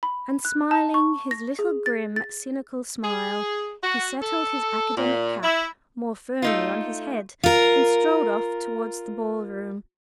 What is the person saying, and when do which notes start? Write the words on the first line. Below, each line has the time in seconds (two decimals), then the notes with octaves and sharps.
And smiling his little grim, cynical smile, he settled his academic cap more firmly on his head and strolled off towards the ballroom.
0.03 B5
0.45 F#6
0.71 A5
0.94 C#6
1.31 A#6
1.59 G#4
1.86 A6
2.16 A6
3.03 G#4
3.82 F#4
4.22 A4
4.97 A#2
5.43 E4
6.42 A3 D#4 F4
7.44 F4 A#4